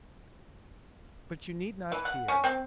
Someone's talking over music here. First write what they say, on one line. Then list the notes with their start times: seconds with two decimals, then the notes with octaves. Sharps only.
But you need not fear.
1.92 E3
2.05 F#5
2.28 C#4
2.44 C4